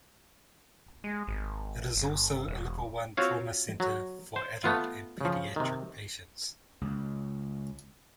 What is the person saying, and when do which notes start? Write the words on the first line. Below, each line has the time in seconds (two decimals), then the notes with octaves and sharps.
It is also a Level One trauma center for adult and pediatric patients.
1.04 G#3
1.27 G#1
1.96 G1
2.48 E1
3.17 C4 F4 F#4 C#5 F5
3.80 F#3
4.36 C5
4.64 A3 B3 F4
5.21 C#3 F3
5.56 C3 D#3
6.81 C#2